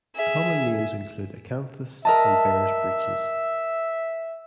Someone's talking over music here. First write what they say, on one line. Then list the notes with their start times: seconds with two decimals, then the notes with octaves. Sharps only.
Common names include Acanthus and Bear's breeches.
0.15 G#4 E5
2.05 A#4 D#5 E5 A5